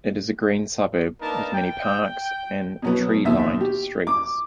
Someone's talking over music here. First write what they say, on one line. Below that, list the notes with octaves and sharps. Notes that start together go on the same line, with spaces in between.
It is a green suburb with many parks and tree-lined streets.
A#3 D4 D#4 A#4 B4 A5
G5
G5
B2 F#3 B3
D#2 B2 E5
G4
D6